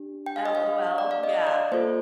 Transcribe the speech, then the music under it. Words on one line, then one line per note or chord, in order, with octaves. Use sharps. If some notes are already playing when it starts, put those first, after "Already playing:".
LOL, yeah.
Already playing: D4 G4
G5
F5
D#5
F5
D5
F5
D#5
D5
A#3 F4 A4 C5